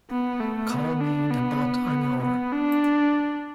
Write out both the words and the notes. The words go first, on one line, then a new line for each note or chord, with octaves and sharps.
Call me in about an hour.
B3
A3
B3
D4
B3
B3
D4